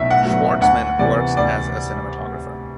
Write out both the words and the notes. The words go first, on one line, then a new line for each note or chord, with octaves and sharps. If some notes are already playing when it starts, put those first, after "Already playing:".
Schwartzman works as a cinematographer.
Already playing: B1 A2 B3 E5
F#5
A2 F#3 B3
D2 F#5
C3 E3 B3 D5
D2 D5